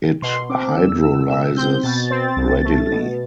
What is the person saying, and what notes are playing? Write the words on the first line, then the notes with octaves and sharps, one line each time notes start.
It hydrolyzes readily.
B2 C6
C4 D6
E2 E6
A3 E6
B2 E6
C4 G6
B2 A6
C4
C2
A3
B2